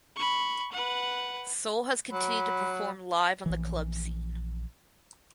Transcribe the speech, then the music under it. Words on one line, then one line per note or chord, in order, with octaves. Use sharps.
Soul has continued to perform live on the club scene.
B5 C#6
B4 F#5
F#3 B5
A#1 E3